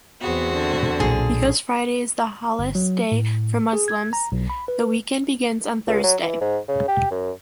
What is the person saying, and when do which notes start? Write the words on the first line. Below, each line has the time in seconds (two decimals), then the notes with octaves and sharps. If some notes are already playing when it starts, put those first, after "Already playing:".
Because Friday is the holiest day for Muslims, the weekend begins on Thursday.
0.21 E2 B3 C4 F#4 G#4
0.52 D3
1.00 B1 A#2 G#4
2.59 G1
2.75 F#3
3.12 A2
3.73 G#4
3.88 G#6
4.13 A#5
4.32 B1
4.50 B5
4.68 B4
5.87 C#2
6.03 F#3
6.22 E3
6.41 G#2
6.68 C#3
6.88 G4
7.11 F#2